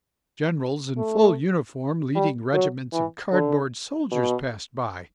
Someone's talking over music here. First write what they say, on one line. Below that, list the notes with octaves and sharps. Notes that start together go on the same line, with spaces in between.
Generals in full uniform leading regiments of cardboard soldiers passed by.
A3
G3
F#3
E3
D3
B2